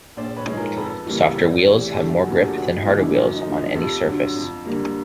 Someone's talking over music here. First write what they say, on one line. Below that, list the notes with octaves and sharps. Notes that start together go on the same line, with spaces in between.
Softer wheels have more grip than harder wheels on any surface.
A#1 C5 D5
B4 C#5
G#2 F3 G#3
A#4 C5
F2 A4 B4
C#3 E3 G3 A#3
E2
C3 E3 A3
G1 G4 A4
F#4 G#4
F#2 D3 F3 A#3
G4 A4
F1 F#4 G#4
D#4
D#2 C#3 E3 G#3
D4 E4
F#2 D#4
D#4
D3 F3 A3
D#4
F2 G4 A4
D3 F#3
F2
D3 G3 A#3